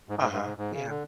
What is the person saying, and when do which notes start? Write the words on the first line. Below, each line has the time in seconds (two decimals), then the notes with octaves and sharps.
Uh-huh, yeah.
0.09 G#2
0.19 G#2
0.31 G2
0.41 G#2
0.58 G#2
0.73 C#3
0.89 D3